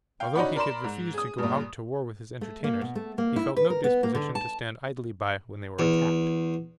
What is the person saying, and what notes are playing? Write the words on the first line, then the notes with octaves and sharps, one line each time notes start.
Although he had refused to go out to war with his entertainers, he felt no disposition to stand idly by when they were attacked.
F5 G5
C#4 D#4 F#4 D5 F#5 B5
A#4 D5 B5 C6 E7
G#2
G#4 D#6
G2 A#2
A3
A#3
B2
A3
A#3
E4
B4
A#4
B3
A#3
D3
A5
E2